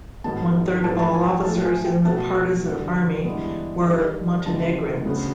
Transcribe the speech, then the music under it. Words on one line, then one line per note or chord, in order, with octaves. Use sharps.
One third of all officers in the partisan army were Montenegrins.
G#2 D#3 F#3 B3 A5
G#2 F3 A3 A5
A5
G#5
G5
A2 F3 A3 A5
G#5
G5
B2 F#3 A3 A5
G2 D3 F#3
G2 E3 G#3 B3
G2 D#3 G3
D#2 C#3 E3 G#3 A5
D2 C#3 F#3 B3